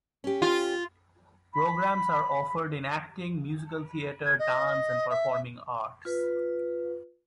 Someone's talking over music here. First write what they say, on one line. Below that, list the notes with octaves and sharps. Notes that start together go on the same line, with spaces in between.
Programs are offered in Acting, Musical Theatre, Dance and Performing Arts.
C#4 G4
F4
B5
G#6
D#5
E5
F4 B4